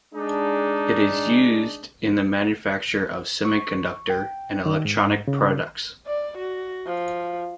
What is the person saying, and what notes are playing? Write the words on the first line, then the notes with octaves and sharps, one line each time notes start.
It is used in the manufacture of semiconductor and electronic products.
G#3 D4 D#4
C#6
G5
D#3
G#2
C#3
D5
F#4
F3